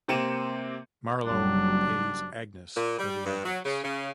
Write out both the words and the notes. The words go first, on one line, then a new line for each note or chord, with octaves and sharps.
Marlowe pays Agnes for the address.
C3 A#3 C4 C#7 D#7 E7
F#1 F#3 G3 D4
A#2
G3
G2
F#3
C#3
C#3